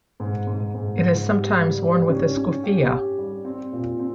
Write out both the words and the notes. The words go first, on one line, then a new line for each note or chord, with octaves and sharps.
It is sometimes worn with a skufia.
G#2
G#2
G#2
G#2
G4
G3
G4
C#4
C#4
G4
G4
G3
C4
A#2
C4